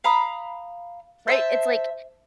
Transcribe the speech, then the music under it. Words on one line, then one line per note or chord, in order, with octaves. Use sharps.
Right, it's like,
F5 A#5 B5 D#6
C5 E5 A5